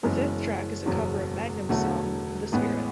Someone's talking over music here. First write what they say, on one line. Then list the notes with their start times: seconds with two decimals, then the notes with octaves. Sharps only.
The fifth track is a cover of Magnum's song "The Spirit".
0.03 F#1 F#2 E3 G#3 B3
0.86 F#1 E2 B2 F#3
1.69 E1 E2 D3 F#3 A3 F#4
2.52 A1 A2 G#3 B3